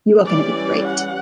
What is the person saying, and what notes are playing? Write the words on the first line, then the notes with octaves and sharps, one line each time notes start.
You are going to be great.
E3 G3 C#4 D5
F#5